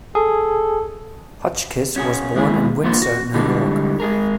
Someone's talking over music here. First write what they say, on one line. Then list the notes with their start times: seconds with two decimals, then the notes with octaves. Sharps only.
Hotchkiss was born in Windsor, New York.
0.15 G#4 A4
1.96 C#4 F#4 G#4
2.35 D#2 G#3 E4 G#4
2.84 A#3 B3 D4 F4 C5
3.02 F#4
3.34 D3 E3 G3 G#3 D4 A4
4.00 G#3 G#4 A#4